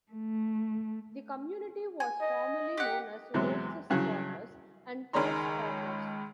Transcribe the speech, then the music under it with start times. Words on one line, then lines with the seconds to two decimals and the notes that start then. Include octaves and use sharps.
The community was formerly known as "Rose's Corners" and "Kerr's Corners".
0.13 A3
2.00 G#5
2.21 D#5
2.77 G4 F#5
3.34 E2 C3 F#3 G#3
3.90 G2 C#3 E3 F#3
5.13 C#2 D#3 G#3 C#5 A#5 C6